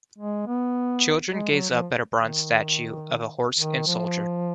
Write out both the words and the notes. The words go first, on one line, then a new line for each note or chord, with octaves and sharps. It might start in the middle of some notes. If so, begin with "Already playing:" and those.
Children gaze up at a bronze statue of a horse and soldier.
G#3
B3
G#3
F#3
F3
D#3
D#3
F3